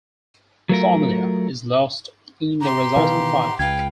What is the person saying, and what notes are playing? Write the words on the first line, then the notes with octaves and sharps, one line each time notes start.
The formula is lost in the resulting fire.
F#3 A3 F4 A#4
G4 A#5 C6
B2 D#3 E3 B4 F5
C#2 B4 F5 G5 G#6